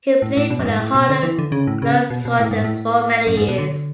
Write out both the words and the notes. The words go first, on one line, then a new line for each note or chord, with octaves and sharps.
He played for the Harlem Globetrotters for many years.
A2
A2
B2
F#2
G#2
A2
B2
D3
E3
D3
C#3
A2
C#3
B2
B2
A2
G#2
A2
F#2
G#2
B2
D3